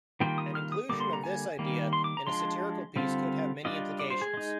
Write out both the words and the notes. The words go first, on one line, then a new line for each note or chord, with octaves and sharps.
An inclusion of this idea in a satirical piece could have many implications.
D#3 G3 A#3 F4 G5
D#6
F6
D#6
D3 G3 A#3 D6
C6
A#5
G#5
D#3 G3 A#3
C6
D6
A#5
F3 G#3 D4 C6
D3 G3 C4 F4
G3 D4 F4 D#5
D5
C5
G#4
G#3 D#4